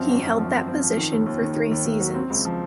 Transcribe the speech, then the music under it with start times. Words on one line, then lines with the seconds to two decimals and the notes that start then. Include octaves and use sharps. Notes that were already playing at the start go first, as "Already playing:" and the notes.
He held that position for three seasons.
Already playing: F#2 F3 C4
0.09 G#1
0.23 F#2
0.38 F3
0.52 C4
0.68 C4
0.82 F3
0.97 D#3
1.12 D#2
1.26 D#2
1.41 D#3
1.56 D#3
1.71 D#2
1.86 D#2
2.00 F#3
2.15 C4
2.30 C#2
2.45 F3